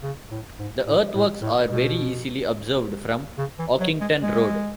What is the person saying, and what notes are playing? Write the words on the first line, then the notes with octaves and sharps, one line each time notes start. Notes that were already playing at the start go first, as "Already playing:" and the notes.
The earthworks are very easily observed from Oakington Road.
C#3
A2
G#2
A2
A2
A2
B2
C#3
E3
F#3
G#3
G#3